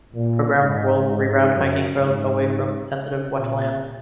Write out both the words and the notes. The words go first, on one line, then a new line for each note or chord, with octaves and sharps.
The program will reroute hiking trails away from sensitive wetlands.
A#2
G#2
G#2
F#2
G#2
A#2